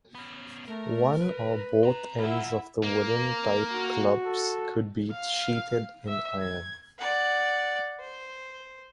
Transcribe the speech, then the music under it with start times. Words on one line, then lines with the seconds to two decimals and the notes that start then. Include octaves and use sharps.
One or both ends of the wooden type clubs could be sheathed in iron.
0.15 B3 C#4
0.68 A3 A#4
1.19 B4
1.83 C4 A#5
2.18 D#2 E4 F4 E5 F#5 B5
2.84 A#3 A#4
3.72 F#4
4.26 A4
5.12 F5
6.08 E5
6.40 G#6
6.98 D5 F#5
8.00 C5